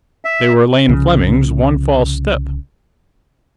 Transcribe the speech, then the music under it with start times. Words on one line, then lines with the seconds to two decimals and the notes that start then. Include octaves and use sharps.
They were Lane Fleming's one false step.
0.25 E5
0.88 C2 C#3 F3